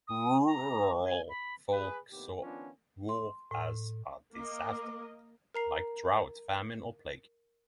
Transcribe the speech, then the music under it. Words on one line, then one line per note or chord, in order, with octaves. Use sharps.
Rural folk saw war as a disaster, like drought, famine or plague.
D#6
A#5
G#5
B5
G#4 B4
D#2 A2 C3 B3 G4
D#3 F3 B3 C#4 D4 F4
C6
A2
A#3 A#4 D#5 D6
A#4 A#5 C7